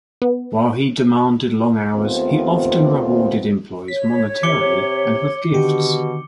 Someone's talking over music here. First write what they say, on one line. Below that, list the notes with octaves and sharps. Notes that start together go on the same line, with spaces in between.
While he demanded long hours, he often rewarded employees monetarily and with gifts.
B3
D#2 A3 B3 C4 F4 C5
C#5 B6
C3 D6 C#7 G7
B2 D3 D#3 G4